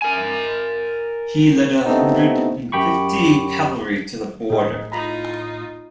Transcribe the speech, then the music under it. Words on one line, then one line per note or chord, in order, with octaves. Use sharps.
He led a hundred and fifty cavalry to the border.
A#4 G#5
C3 A3 B3 C4 D4 D#4
F#2 G4 G5 B5 C#6
A2 D#4 G#4
D#4 F4 A#5 B5